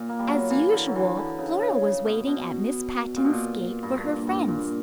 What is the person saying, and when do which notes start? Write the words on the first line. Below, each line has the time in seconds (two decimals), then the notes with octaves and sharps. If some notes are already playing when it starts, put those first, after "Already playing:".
As usual Flora was waiting at Miss Patten's gate for her friends.
Already playing: A#2
0.09 A#3
0.19 G3
0.28 F#3
0.50 E3
0.72 D3
0.87 F#3
0.95 E3
1.17 D3
1.39 C#3
1.61 C#3
1.83 C#3
2.05 B2
2.27 B2
3.16 A#2
3.25 B2
3.33 A#2
3.83 G2
3.97 G2
4.05 A#2
4.27 G2
4.48 A#2